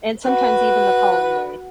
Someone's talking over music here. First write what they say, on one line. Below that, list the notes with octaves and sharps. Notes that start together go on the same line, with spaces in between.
and sometimes even the following day.
F#4 B4